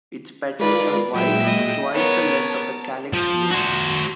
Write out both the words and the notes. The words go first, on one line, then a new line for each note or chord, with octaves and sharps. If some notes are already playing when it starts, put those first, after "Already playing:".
Its petals are white, twice the length of the calyx lobes.
G#3 F4 A#4 B4 D5
A#2 F#3 G#3 B3 E5 G5
D#5
B3 A#4 C#5 A5
F3
F#4 C5